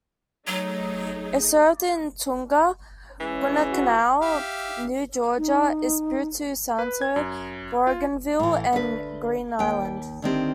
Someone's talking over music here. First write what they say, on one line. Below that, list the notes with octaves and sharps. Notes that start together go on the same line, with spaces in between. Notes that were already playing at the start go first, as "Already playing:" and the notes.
It served in Tonga, Guadalcanal, New Georgia, Espiritu Santo, Bougainville and Green Island.
F#3 A3 D#4 G#4
E3 G#3 C#4
F#4
G4 E5 F5
D#4
B4
G#6
F#2
F4
A2 E3
D2 B4
D#2 G5
D2 D#3 C4 G4